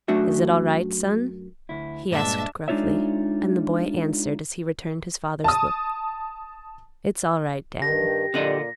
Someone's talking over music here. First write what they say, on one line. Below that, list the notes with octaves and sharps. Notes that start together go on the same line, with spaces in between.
"Is it alright, son?" he asked gruffly; and the boy answered, as he returned his father's look, "It's alright, Dad."
F#2 A3 D4 F#4 E5
D2 E4
G2 A#2 G#3 D4 E5 A5
G#3 D4 D#4 F4 C#5 E5
A5 D#6
G2 D#3 G4 A#6
A#2 D3 A#3 D4 D#5